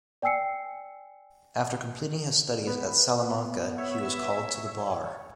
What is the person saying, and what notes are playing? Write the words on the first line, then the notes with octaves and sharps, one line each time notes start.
After completing his studies at Salamanca he was called to the bar.
D5 G5 G#5 E6 C7 C#7
B3 B4
C#5 E5